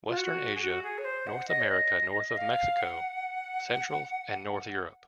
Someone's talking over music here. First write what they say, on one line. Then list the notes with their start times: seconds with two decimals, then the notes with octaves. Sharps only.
Western Asia, North America- north of Mexico, Central and North Europe.
0.09 F4
0.17 F#4
0.55 G#4
0.61 F#4
0.83 G#4
0.98 C#5
1.05 C5
1.27 F#5
1.49 D#5
1.60 C#5
1.70 D#5
2.32 D#5
2.37 F5
2.81 F#5